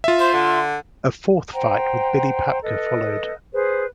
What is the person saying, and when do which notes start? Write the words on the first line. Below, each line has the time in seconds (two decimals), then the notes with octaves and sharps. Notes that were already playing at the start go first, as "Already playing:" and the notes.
A fourth fight with Billy Papke followed.
0.04 F4 E5
0.19 C5 C6
0.33 D3
1.53 C5 F#5 G5 A#5
2.62 A4 B4 D#5
3.53 G#4 B4 C5